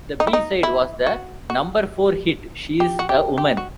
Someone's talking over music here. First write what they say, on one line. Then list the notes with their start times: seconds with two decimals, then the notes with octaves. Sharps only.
The B-side was the number-four hit "She's a Woman".
0.20 D#4
0.27 E4
0.33 D#4
0.63 E4
1.07 F#4
1.50 F#4
2.80 G4
2.99 F#4
3.09 G4
3.38 G4
3.57 F#4